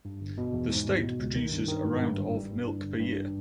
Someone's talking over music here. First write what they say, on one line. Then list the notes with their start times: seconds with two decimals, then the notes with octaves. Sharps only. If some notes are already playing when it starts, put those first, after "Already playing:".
The state produces around of milk per year.
0.05 G2
0.21 G1
0.38 B2
0.54 E2
0.70 G#2
0.87 G#1
1.03 B2
1.19 C#2
1.35 D#3
1.52 G2
1.68 D#3
1.85 G#2
2.02 G2
2.17 G1
2.35 G3
2.51 G2
2.67 G2
2.83 G1
3.00 G2
3.16 G#1